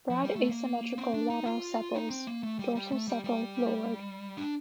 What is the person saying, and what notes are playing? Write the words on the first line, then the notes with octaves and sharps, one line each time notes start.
Broad asymmetric lateral sepals, dorsal sepal lowered.
F3
G3
A3
A#3
C4
D4
D#4
F4
D#4
C4
A#3
A3
G3
G3
A3
G3
G3
D4